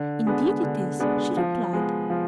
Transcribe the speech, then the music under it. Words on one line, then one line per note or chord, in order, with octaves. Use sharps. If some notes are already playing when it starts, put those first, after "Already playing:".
"Indeed it is," she replied.
Already playing: D3
G#3 B3 D4
D3
G#3 B3 D4
F3
G#3 B3
F3